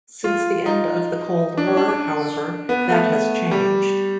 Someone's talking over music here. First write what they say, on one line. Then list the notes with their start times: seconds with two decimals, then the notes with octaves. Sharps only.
Since the end of the Cold War, however, that has changed.
0.24 F4
0.66 D#4
1.58 D4
1.67 C#4
1.77 D4
1.88 D4
2.69 B3
2.90 A3
3.51 G3